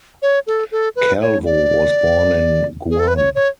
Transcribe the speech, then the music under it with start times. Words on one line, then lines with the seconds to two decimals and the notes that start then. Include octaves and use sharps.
Calvo was born in Guam.
0.22 C#5
0.47 A4
0.72 A4
0.96 B4
1.21 C#5
1.45 D5
2.90 G#4
2.99 A4
3.08 B4
3.17 C#5
3.35 C#5